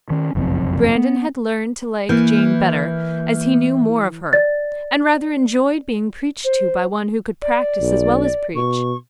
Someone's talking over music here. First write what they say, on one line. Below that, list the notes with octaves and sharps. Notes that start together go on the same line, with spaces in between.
Brandon had learned to like Jane better as he knew more of her, and rather enjoyed being preached to by one who could practise as well as preach.
D#3 C#4
F#1 B1 F2 C3
B3
E3 A#3 F6 G6
D5 A6
C5
D5
B1
B2 C#6